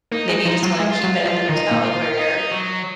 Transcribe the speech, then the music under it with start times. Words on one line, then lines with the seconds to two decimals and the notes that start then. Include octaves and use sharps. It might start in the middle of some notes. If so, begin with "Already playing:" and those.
maybe you just wanna keep it at the hotel where you're
0.12 A#3 D#4
0.29 G#3 D#4
0.45 F3 D#4
0.63 F#3 F4
0.80 G#3
0.90 F4
1.04 F#3
1.26 F3
1.48 D#3 D#4
1.71 A#2
1.83 F4
2.17 D#4
2.51 F#3